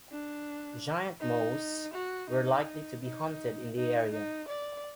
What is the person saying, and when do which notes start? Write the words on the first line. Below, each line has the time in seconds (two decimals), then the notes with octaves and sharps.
Giant moas were likely to be hunted in the area.
0.12 D4
1.21 D#4
1.94 F#4
2.30 D#4
3.03 D#4
3.76 D#4
4.12 D#4
4.48 D5